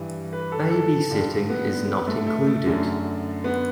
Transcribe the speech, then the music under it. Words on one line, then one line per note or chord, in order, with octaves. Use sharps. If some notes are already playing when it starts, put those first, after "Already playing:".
Babysitting is not included.
Already playing: G2 E3
B4
A4
A4
G2 D3
B3
B3
B3
A3
A3
A3
F#2 D3
B3